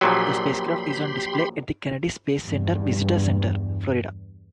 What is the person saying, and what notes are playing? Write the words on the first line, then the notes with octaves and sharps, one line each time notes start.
The spacecraft is on display at the Kennedy Space Center Visitor Center, Florida.
A#1 A#2 F#3 G4 B5 C6
E2 G2